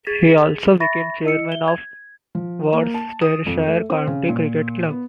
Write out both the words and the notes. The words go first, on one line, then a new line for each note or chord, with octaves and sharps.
He also became chairman of Worcestershire County Cricket Club.
G#4 G#6 A6 B6
E5 B5 C#6 A6 A#6
E4 D#5 E6 C#7
E5 G7
G#6
F3
A#3
A5
D#6
F2
A3
C4
C#3
A#2
B3